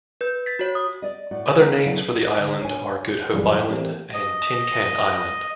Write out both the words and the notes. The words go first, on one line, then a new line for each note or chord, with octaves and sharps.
Other names for the island are Good Hope island and Tin Can island.
B4 G6
A6 B6
F#4 C#5
D#6
D5 D#5
A2 F#4 D5
A#3 B3 G#4 D#5
B2 F#3 D4 E4 A4 D5
D3
C#5 G#5
F#2 A#2 E3 G3 G#3 D4
E3 A3 A#3 C4 G4 D5
D#5